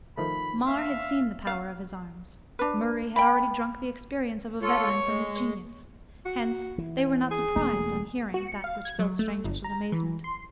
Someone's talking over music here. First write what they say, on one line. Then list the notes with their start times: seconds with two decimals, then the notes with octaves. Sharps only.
Mar had seen the power of his arms; Murray had already drunk the experience of a veteran from his genius; hence they were not surprised on hearing that which filled strangers with amazement.
0.17 D#3 F3 A3 B5
0.67 E5 F5
1.47 F5
2.59 D4 B4
3.16 G5 B5
4.62 F4 A4 C#5
5.06 G#3
6.26 F#4
6.78 E3
6.97 C#4
7.31 G#4
7.56 E1 A3 A#3
8.34 F#4
8.47 C#7
8.64 F5
8.85 G#6
8.99 F#3
9.19 A3
9.44 G1
9.64 A#5
9.92 E3
10.24 C6